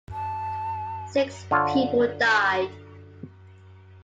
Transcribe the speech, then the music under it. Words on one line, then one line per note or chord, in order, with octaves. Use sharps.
Six people died.
A5
D3 F4 C#5